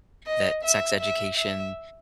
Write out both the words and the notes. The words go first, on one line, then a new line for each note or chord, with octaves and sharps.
that sex education
D#5
E5
E5
E5